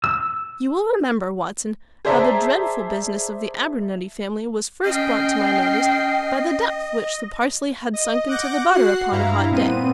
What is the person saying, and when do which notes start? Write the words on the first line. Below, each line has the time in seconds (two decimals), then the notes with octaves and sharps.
You will remember, Watson, how the dreadful business of the Abernetty family was first brought to my notice by the depth which the parsley had sunk into the butter upon a hot day.
0.04 E6
2.05 G#4 C5 D5 E5 A5 A#5
4.85 C#4 D#5 G5 C7
7.93 D#5
8.28 F#5 D6 G6 A#6
8.72 F#4 F#5 F#6 C7
9.11 G2 E4 F5 A#5
9.50 A#2 B3 C4 D#7